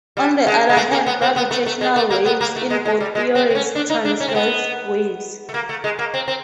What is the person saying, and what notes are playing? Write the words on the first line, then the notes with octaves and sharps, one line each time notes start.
On the other hand, gravitational waves in both theories are "transverse" waves.
G3
G#3
G#3
A3
A#3
B3
C4
B3
A3
A3
G#3
A3
A#3
B3
A#3
A3
G#3
G#3
G3
G#3
C4
C4
C#4
D4
D#4
D4
C#4
C4
B3
A3
A#3
A3
G#3
A#3
C4
C4